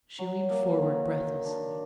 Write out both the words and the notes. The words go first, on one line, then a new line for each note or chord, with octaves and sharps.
She leaned forward breathlessly.
F#3
A#3
D#3
D#3
D4